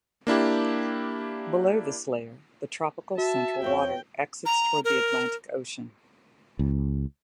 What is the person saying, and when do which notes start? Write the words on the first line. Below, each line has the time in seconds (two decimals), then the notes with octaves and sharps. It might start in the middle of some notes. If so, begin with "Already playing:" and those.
Below this layer, the Tropical Central Water exits toward the Atlantic Ocean.
0.27 A#3 D4 E4 G4
3.18 F#4 E5 A5
3.62 F2 C4 C#5 G5
4.46 A#5
4.85 A#4
6.59 C#2